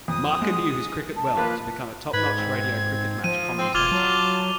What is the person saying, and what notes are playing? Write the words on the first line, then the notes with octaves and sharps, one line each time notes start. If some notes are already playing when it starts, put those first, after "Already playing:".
Marker knew his cricket well to become a top-notch radio cricket match commentator.
F2 D#6
G#3
A5
F3 A#3 F4 B4
G#2 B4 G#6
C4
F3 D#7
C4 C6
E1 F4 D6 G#6 F7 G7
F#3 A5